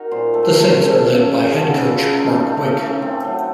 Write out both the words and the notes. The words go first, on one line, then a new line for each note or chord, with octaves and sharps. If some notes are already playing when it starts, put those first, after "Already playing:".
The Saints are led by Head Coach Mark Wick.
Already playing: D#4 F#4 A#4
A#2 C5
A3 A4
C5
A#4
A3
C5
C#3 A4
A#3
C#3
F3
F#4
C#3 A4
F#4
C#3
F4
A3 D#4
A3 D#4
A2 C#4
A3
A2 C4
F#3